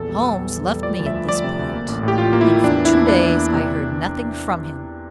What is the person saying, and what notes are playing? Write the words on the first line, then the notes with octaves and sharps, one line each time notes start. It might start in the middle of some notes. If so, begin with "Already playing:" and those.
Holmes left me at this point, and for two days I heard nothing from him.
Already playing: A#1 E2 A4
G3
G3
E2
E2
G3
F3 D5
D2
E5
F3
F3 D5
C3
D2
A#3
A1
A2 G4
A1 F4
A#3
E4
A#3
E2 D4
E3
E4
E2
A#3 D4
E2
A#3
C3